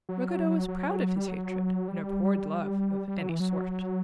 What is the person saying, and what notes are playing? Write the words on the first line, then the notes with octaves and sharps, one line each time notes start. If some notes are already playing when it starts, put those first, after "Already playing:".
Ruggedo was proud of his hatred and abhorred love of any sort.
F#3
F#3
G3
F#3
G3
G3
F#3
E3
F#3